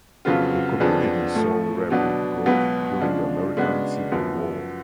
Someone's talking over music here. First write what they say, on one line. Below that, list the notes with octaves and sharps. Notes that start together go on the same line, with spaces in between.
The community saw rapid growth during the American Civil War.
F2 C#3 F#3 B3 F4
F2 F3 B3 D4 G#4
A2 F3 A3
B2 F#3 B3 D4
C#2 B2 F#3 B3
C#3 F3 G#3 D4
C#3 G#3 B3 D4 F#4
F#2 F3 B3